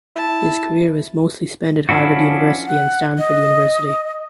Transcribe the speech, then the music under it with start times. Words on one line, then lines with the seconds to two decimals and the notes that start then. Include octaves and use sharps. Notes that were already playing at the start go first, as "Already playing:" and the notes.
His career was mostly spent at Harvard University and Stanford University.
0.16 E4 A5
1.89 F3 C#4 D4 E4 F#4
2.66 F#5
3.18 D#5